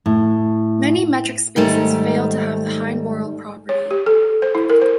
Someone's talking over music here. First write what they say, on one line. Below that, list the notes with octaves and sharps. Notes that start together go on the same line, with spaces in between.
Many metric spaces fail to have the Heine-Borel property.
A2
G#2 D#3 G3 A3
C#5
G4
A4
C5
E4
A#4
C5